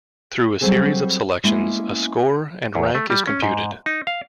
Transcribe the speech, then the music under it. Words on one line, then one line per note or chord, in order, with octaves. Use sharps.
Through a series of selections, a score and rank is computed.
F#3 G3 C4 G#4 A4
G#3 A#3 B3 C#4 E4
E2
A3
G3
C#4
G#2
D#4
F5